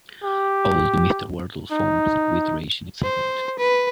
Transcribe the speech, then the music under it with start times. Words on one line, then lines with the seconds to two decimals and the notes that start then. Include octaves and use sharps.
Old Mr. Wardle foamed with rage and excitement.
0.23 G4
1.72 D#4
3.03 C5
3.59 B4